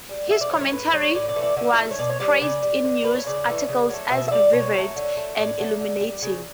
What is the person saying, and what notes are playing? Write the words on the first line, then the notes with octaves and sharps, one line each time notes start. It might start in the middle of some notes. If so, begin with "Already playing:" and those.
His commentary was praised in news articles as "vivid" and "illuminating".
G3
B2 E5
D5
F#3 A3 C#5
C#5
A2 B4
G3 C#5
A2 D5
D5
E3 A3
D5
D3 E5
A3
C#5
B2 D5
C#5
G3 D5
B4
C#3 D5
G3
D3
A3 B4
C#5
C#3 D5
E3 A3
C#3
F#3 A3
B2 E5
E5
G3 D5
B2 C#5
F#3 A3
D3
A3
A2 D5
F#3 A3
D3
G3
C#3